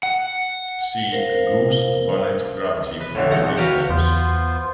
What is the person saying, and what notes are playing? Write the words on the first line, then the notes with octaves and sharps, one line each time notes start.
See Gauss-Bonnet gravity for more details.
F#5
A#4 C5 F5
B4
A2 D3 E3
B1 D#4 A4 F#5
E2
F#4 G4 B4 F5 F#5
E2 B3 F4 C5